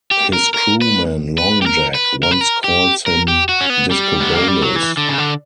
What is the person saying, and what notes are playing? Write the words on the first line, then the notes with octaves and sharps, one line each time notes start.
His crewman 'Long Jack' once calls him "Discobolus".
G4
A#4
A#4
B4
B4
G4
A#4
B4
A#4
B4
A#4
G4
A#4
G4
F#4
C#4
B3
G3
B3
A#3
G3
F#3
E3
D3
C#3
D3